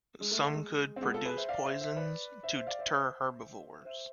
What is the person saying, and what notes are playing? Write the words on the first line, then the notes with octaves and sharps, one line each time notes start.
Some could produce poisons, to deter herbivores.
G#3
A3
A3
G#3
C4
G#3 B3
F4 A4
G#4 B4
C5 E5
D5 F5
C5 E5
C5 E5
B4 D5
C5 E5
C5 E5
D5 F5
C5 E5
C5 E5